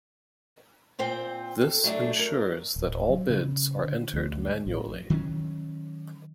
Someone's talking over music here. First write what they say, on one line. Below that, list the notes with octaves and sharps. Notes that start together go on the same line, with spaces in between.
This ensures that all bids are entered manually.
A#2 C4 C5 G5
A4
F#3 A3 D4
A#4
D1
F#3
C#3
D3
D2
A1
D#3 F#3 G3 C#4